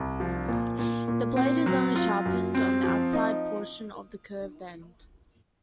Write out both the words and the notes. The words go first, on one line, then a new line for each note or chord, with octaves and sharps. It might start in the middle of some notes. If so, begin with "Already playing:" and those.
The blade is only sharpened on the outside portion of the curved end.
Already playing: C2
F3
A#2
A#2
A#2
C4
F#3
F4
F#2
C4
F3
D#4